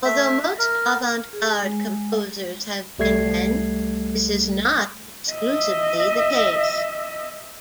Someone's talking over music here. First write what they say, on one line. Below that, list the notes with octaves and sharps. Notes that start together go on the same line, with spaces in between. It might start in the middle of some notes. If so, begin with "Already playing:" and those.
Although most avant-garde composers have been men, this is not exclusively the case.
A3 E5
A#4
G#4
G#3
C2 G3 A3 G#6 C7
D#5 E5